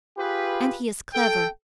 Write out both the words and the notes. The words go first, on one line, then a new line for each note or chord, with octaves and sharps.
And he is clever.
F4 G4 G#4 B4
A4 G5